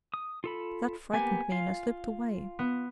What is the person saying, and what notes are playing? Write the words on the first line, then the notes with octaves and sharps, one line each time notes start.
That frightened me, and I slipped away.
D#6
F4 A4 B5
A#3 B3 G4 G#5
F4 F5
B3